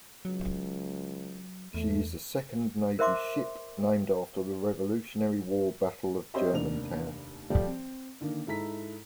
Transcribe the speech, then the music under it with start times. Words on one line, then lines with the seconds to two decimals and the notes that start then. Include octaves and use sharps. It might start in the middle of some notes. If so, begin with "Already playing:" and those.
She is the second navy ship named after the Revolutionary War Battle of Germantown.
0.25 C#2 F#3
1.74 E2 A3
2.99 A#4 C5 E5 C6 D6
6.34 C4 G4 C5 C#5 D#5 E5
6.52 F1 D#2 D4 A#4 F7
7.50 F3 G3 A3 G4 D5
7.67 C4
8.21 D3 D#3 A#3
8.47 G#2 E4 A4 A#5 B6